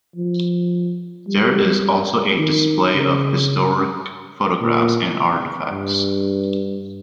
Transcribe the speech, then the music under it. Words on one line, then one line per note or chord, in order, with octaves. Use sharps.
There is also a display of historic photographs and artefacts.
F3
G3
D#3
C#3
A#2
G2